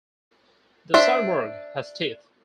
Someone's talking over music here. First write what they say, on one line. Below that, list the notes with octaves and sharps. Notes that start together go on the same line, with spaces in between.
The simurgh has teeth.
D4 C5 E5